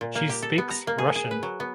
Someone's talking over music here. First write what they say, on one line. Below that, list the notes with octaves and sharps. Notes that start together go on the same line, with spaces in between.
She speaks Russian.
A#2
A#3
G4
A4
B3
A#5
A#3
G#4
G#4
B4
F#3
B3